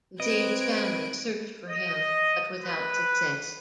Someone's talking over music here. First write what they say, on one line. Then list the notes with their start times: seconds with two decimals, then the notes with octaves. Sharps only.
Zayd's family searched for him, but without success.
0.20 C4 B4 D#5 F#6 G#6 D7
1.69 D#5
2.63 B4